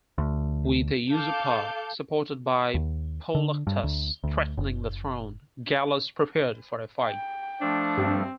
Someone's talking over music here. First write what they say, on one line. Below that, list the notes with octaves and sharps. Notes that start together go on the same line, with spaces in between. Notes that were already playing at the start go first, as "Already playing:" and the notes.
With a usurper, supported by Pauloctus, threatening the throne, Gallus prepared for a fight.
D2
A4 F5 A5 D6 G6
D#2
D3
G2
D2
D2
F#1
G5
F3 A3 D4
G2 C4